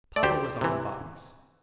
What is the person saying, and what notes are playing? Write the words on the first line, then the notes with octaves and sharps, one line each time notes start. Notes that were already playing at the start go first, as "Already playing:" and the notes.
Papa was on the box.
D5
D2 G4 C5
C3 E3